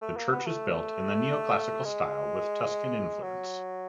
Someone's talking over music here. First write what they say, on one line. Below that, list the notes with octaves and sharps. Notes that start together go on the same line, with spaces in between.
The church is built in the Neoclassical style with Tuscan influence.
A3
A#3
B3
A3
A3
G#3
F#3